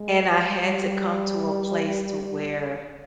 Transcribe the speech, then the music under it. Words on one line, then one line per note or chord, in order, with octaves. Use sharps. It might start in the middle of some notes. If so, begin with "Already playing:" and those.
And I had to come to a place to where
Already playing: G#3
G3